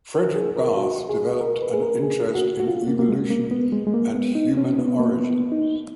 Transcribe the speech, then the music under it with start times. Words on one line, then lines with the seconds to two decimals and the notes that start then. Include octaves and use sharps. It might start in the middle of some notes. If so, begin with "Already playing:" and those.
Fredrik Barth developed an interest in evolution and human origins.
0.14 A#4
0.35 G#4
0.57 A#4
0.77 F#4
1.10 G#4
1.41 A#4
1.62 B4
1.74 G#4
1.82 A#4
2.03 G#4
2.35 F#4
2.60 F#4
2.68 F4
2.88 A#3
2.99 A#3
3.09 G#3
3.30 A#3
3.51 B3
3.72 G#3
3.87 G#3
3.94 A#3
4.14 B3
4.35 D#4
4.57 C#4
4.78 B3
4.99 A#3
5.20 B3
5.52 D#4